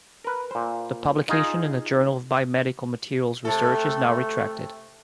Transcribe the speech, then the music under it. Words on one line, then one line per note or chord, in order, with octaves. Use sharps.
The publication in the Journal of Biomedical Materials Research is now retracted.
A#4 B4
A#2 C5
D#4 F4 G#4
C3 A3 A4